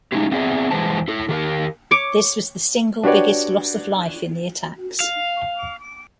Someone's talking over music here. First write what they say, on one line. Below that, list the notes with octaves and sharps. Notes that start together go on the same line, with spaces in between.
This was the single biggest loss of life in the attacks.
G#3 A3 C#4 D#4 E4 G4
A3 B3 C4 G#4 D5 E5
E2 E3 G#3 B4 C5 A5
E4 A4
D#3 G4 A#4
C#5 C#6 D6
D4 F#4 G4 B4 C#5 D5
F5